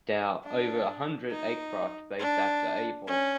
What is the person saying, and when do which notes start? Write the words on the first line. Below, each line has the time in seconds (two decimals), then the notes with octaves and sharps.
There are over a hundred aircraft based at the airport.
0.45 D4
1.32 D#4
2.19 D4
3.07 C#4